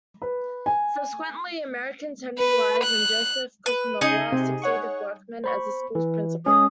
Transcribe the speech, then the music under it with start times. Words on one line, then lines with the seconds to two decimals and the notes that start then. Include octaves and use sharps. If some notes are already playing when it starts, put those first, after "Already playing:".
Subsequently, Americans Henry Wise and Joseph Coconower succeeded Workman as the school's principal.
0.22 B4
0.66 G#5
2.38 B4
2.84 F#6
3.66 B4
4.01 C#3 D#4 G#4 D#5
4.32 C3
4.62 C#5 F#5 C#6
5.44 C5 B5 C#6
5.95 E3
6.46 G#3 C#4 D#6